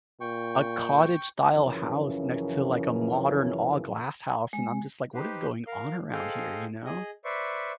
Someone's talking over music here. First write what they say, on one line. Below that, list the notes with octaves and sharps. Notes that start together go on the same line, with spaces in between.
a cottage style house next to, like, a modern, all glass house, and I'm just, like, "What is going on around here," you know?
A#2 G5 C#6
F#2 C#3 E3 F3 C#4 A#4
G#3
D#4 G4 B4 C5
A#4 F5
G#4 A4 C5 D#5 F5 G5
G#4 D#5
B4 C5 D5 E5 C#6